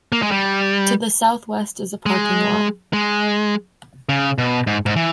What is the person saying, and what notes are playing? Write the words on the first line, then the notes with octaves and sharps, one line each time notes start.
To the southwest is a parking lot.
A#3
G#3
G3
G#3
G#3
C#3
B2
G#2
G#2
E3